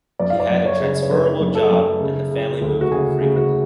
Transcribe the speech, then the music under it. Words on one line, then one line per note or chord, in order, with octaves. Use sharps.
He had a transferable job and the family moved frequently.
F#2 D5
F5
D5
F#2
C#5
C#3
C#5
F#2 B4
F#2
A4
F#2
C#3
C#3
D2
F#4
C#3 G#4
C#3
F#4